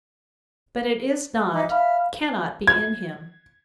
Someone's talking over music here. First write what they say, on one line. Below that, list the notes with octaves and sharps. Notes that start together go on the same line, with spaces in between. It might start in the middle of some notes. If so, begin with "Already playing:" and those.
But it is not, cannot be in him.
D#4 E5 D6
E5 F5 B5 F6
G#6